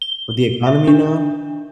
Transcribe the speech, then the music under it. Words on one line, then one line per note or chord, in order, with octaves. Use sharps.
With the economy now?
G7
E5
D4